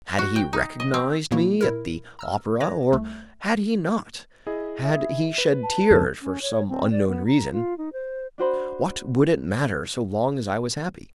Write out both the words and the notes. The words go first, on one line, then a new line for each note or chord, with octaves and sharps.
Had he recognized me at the opera or had he not, had he shed tears for some unknown reason, what would it matter so long as I was happy?
F#4
G5
D#4
D#5
C4
A#2 F3 G3 A#3 E4 F#4
A#2 E4 A#4
A#5 E6 F6
B4 C#5 D5 D6 A#6
C2 A3
E4 G#4 D#5
E5
B4
A5
F2
C#4
C#5
C4
D5
B3
A#5
F4
D#4
C5
D4 F#4 C5 B5